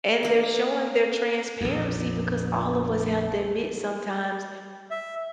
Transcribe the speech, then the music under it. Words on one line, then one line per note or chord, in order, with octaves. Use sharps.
and they're showing their transparency, because all of us have to admit sometimes
A#3 D4
A#1 F2
E5